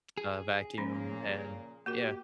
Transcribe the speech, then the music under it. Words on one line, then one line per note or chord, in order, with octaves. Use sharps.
uh, vacuum, and yeah,
G#4
A#2 C#3 F3 A#3 C#4
A#3 F#4 G4 A#4